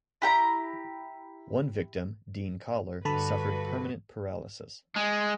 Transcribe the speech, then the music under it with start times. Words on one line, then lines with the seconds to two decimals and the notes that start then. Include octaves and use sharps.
One victim, Dean Kahler, suffered permanent paralysis.
0.22 E4 G4 A#5
3.05 G2 D3 F#4 A4 B4 A5 B5
4.96 G#3